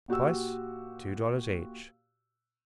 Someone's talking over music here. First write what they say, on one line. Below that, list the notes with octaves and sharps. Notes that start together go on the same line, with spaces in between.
Price, two dollars each!
A#2 F#4 G4 E6